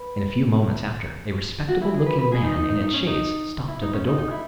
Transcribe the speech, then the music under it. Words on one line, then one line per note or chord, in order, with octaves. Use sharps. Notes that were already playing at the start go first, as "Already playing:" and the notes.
In a few moments after, a respectable-looking man in a chaise stopped at the door.
Already playing: B4
F#4
E4
G#4
B4
B4
G#4
D#4
D#4
D#4
D#4
C#4
D#4
E4
D#4
C#4
D#4
D#4
E4